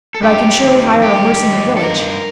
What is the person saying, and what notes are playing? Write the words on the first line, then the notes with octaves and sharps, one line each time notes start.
"But I can surely hire a horse in the village?"
A4
F#2 G4
D#3
F#2 G4
D#3
A4
G2 A#4